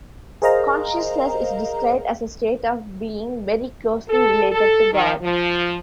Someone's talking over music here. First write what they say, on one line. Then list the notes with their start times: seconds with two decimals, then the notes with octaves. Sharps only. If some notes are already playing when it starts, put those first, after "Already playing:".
Consciousness is described as a state of being, very closely related to God.
0.42 G#4 A#4 C5 D#5 F5 A#5
4.08 A4
4.52 A4
4.93 D#3
5.21 F3